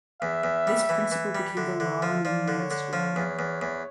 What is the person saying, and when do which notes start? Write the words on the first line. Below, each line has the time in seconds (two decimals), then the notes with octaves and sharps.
This principle became the law in England as well.
0.21 E2 E5
0.43 E2
0.67 G3
0.89 E3
1.12 E3
1.35 G3
1.57 D3 E5
1.80 D3
2.02 F3
2.25 F3 D5
2.48 D3
2.59 C#5
2.71 D3
2.93 F3
3.16 E2
3.39 E2
3.61 E2